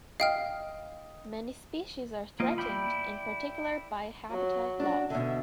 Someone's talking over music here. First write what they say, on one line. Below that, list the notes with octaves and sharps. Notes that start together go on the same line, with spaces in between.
Many species are threatened, in particular by habitat loss.
D#5 F5 G5 F6
A#3 F4 D#5
E4 D5 G5 B5
F#3
D4 F#4
B2 D3 E5